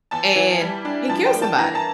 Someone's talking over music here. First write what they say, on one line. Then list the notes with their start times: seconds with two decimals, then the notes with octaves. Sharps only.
and he killed somebody.
0.11 E2 A5
0.36 E3
0.61 G3
0.85 D4
1.09 F3 A5
1.26 G5
1.34 A#3
1.42 A5
1.59 E3 A#5
1.75 A5